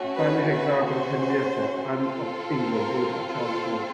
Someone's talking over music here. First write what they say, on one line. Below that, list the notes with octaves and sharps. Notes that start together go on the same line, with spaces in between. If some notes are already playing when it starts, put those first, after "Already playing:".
A famous example is Henrietta Anne of England, daughter of Charles the First.
Already playing: A3 C#4 F#4
B4
B4
C5
C4 F4 A4
A#4
A4